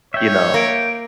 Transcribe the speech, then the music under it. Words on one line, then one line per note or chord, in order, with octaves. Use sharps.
you know?
C#5 E5 G5
A#3 D7